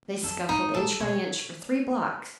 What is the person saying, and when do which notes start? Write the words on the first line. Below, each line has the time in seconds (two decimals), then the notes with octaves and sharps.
They scuffled inch by inch for three blocks.
0.23 F#2 A4
0.49 G#2 D#4
0.74 A2 A4
1.00 B2 C#5